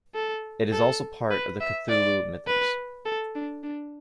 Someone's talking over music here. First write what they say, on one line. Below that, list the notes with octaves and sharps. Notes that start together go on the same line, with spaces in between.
It is also part of the Cthulhu Mythos.
A4
A4
B4
E5
D5
B4
A4
D4
D4